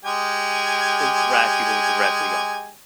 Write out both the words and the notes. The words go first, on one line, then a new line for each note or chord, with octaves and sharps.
interact people with directly on
G#3 G4 G#5